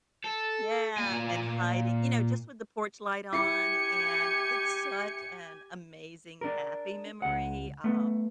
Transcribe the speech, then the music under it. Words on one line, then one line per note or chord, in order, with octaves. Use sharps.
yeah and hiding, you know, just with the porch light on, and it's such an amazing, happy memory, um,
A4
A#2 G#5
E4 G4 G#5 C#7
D4 A#4
C#2 F#5
A3 B3